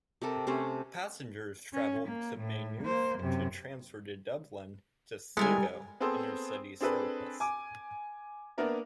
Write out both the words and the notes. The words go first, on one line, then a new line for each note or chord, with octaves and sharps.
Passengers travel to Maynooth to transfer to Dublin to Sligo intercity service.
C3 G4 A4 A#4
C3 A3 C#4 C5
C#4
A#3
A2
A#3 C5
F#2 C3
G3 G#3 B3 E4 A4 A#4 G#5
B3 C4 G#4 A4 C5
C4 D4 G#4 A4 B4
G#5 D6
A#3 B3 D4 A#4 E5